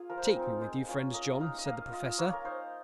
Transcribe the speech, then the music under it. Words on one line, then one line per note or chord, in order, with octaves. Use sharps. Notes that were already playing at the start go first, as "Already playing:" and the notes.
"Take me with you, friend John," said the Professor.
Already playing: A#3 F4 G#4
F3 A#4
C5
A#4
C4 D#4
G#3 C5
C#4 F4
A#3 D#5
D#4 F5
D#5
A#3 F5
F4 D#5
A#3 C#5
A#4
D#4 C5